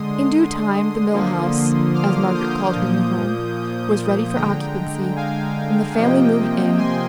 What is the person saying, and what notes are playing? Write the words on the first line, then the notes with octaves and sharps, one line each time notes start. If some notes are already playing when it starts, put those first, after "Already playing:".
In due time the Mill House, as Margaret called her new home, was ready for occupancy, and the family moved in.
Already playing: D3 G#3 C6 D#6
D3 F3 A#3
D6 F6
D#6 G6
A#2 F3 A#3
D3 G#3 G5 A#5
F5 G#5
C3 F3 A#3 D#5 G5
G#5 C6